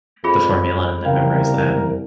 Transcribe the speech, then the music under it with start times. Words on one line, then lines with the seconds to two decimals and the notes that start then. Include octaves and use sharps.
the formula and then memorize that, and
0.24 F2 F4 G#4 B5
1.05 C2 C#3 A#4 F5 G5